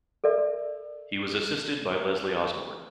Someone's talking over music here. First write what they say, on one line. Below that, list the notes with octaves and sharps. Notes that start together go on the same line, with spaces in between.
He was assisted by Leslie Osborne.
A4 A#4 D5 E5